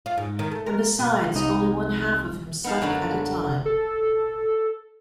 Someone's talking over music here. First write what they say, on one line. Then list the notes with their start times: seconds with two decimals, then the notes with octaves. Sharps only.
And besides, only one half of him slept at a time.
0.06 F4
0.18 G#2
0.39 D#3
0.52 A3
0.66 A#4
0.99 B2
1.35 C2 D#4
2.64 B3 D#4 F5 A5
2.81 F#2 D3 F#3
3.66 A4